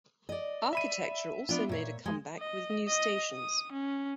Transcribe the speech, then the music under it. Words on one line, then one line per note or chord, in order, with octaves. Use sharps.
Architecture also made a comeback with new stations.
D5 D#5
E5 B5 D#7
B3 D4 F4
A#2 C#5
G#3
D#5
D#5
D#6
C#4